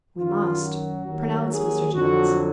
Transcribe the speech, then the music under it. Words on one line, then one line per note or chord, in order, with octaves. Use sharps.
"We must," pronounced Mr. Jones.
F#2 D#3 F#3 F4
F#4
D#2 D#3 F#3
G#4
F2 D3 F#3 F#4